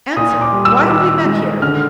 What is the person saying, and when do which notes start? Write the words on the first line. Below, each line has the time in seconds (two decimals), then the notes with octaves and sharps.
Answer: why have we met here?
0.17 A#2 D#6
0.41 D6
0.53 G3
0.65 E6
0.90 D#3
1.26 G#3
1.62 D3 F6